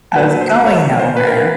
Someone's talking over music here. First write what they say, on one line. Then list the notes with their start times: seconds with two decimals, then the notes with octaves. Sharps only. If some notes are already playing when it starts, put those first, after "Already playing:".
I was going nowhere,
0.15 A#2 F#3 B4
0.41 C5
0.66 C#5
0.99 C5
1.17 B4
1.27 A#4
1.37 B4